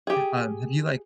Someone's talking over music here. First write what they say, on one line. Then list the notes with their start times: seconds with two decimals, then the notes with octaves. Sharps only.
um, have you like
0.07 G4 G#4